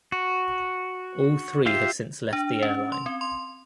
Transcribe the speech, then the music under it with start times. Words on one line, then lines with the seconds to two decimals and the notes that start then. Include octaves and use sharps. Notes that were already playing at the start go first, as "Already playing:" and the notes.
All three have since left the airline.
0.12 F#4
1.66 F4 G4 E5 F5
2.33 D4
2.63 C#4
2.92 C6
3.06 C4
3.21 C6